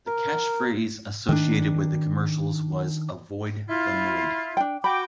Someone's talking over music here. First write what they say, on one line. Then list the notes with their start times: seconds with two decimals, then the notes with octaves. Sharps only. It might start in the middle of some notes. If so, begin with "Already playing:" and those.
The catchphrase associated with the commercials was Avoid the Noid.
0.07 A#4
1.29 D#3 D4
3.69 E4 F4
4.57 D4 G5
4.84 F#4 G5 B5 D6